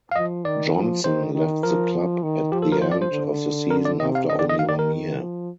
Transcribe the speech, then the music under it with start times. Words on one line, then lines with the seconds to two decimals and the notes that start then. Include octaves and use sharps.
Johnsson left the club at the end of the season after only one year.
0.11 F5
0.16 F3 D#5
0.45 D#3 D5
0.75 F3
1.04 D#3 C5
1.34 D#3
1.63 F3 A#4
2.23 D#3
2.52 F3 G4
2.62 A4
2.72 A#4
2.82 C5
2.92 D5
3.02 C5
3.11 D3
3.71 A#4
3.85 D5
4.00 C3 D#5
4.15 F5
4.30 D3 D#5
4.39 D5
4.50 D#5
4.59 D#3 F5
4.69 D5
4.79 A#4
5.18 F3